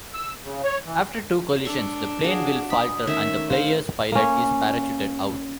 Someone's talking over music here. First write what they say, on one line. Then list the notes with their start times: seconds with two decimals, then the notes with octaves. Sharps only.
After two collisions, the plane will falter and the player's pilot is parachuted out.
0.14 E6
0.44 C#3
0.64 C#5
0.86 E3
1.65 D4 A4 C#6
2.24 F#4 G#4 F5
2.70 B5 D#6
3.07 D#3 A3 C#4 E5
3.49 C5 F5
4.12 A#3 C#4